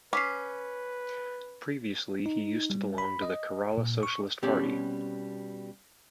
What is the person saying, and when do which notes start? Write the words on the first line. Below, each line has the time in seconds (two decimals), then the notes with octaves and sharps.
Previously he used to belong to the Kerala Socialist Party.
0.13 C#4 B4 D6 B6 C7
2.26 D#4
2.70 G3
2.98 B5
3.22 D#5
3.78 A#2
4.03 C#6
4.43 B2 G3 C4 C#4 G4 A5